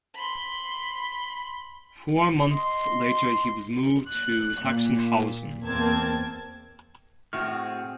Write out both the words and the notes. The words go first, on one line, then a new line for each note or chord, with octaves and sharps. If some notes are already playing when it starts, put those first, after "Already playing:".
Four months later he was moved to Sachsenhausen.
B5 C6
D#5 C6
F#6
A#2
E2 A#3 C4 A5 G#6
A2 C4 F#4 G#4 F6